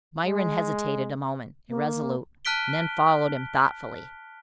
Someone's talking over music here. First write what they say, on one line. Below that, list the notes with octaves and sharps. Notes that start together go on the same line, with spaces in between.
Myrin hesitated a moment, irresolute, and then followed him thoughtfully.
G#3
A#3
A5 F6 F#6 B6 D7 G7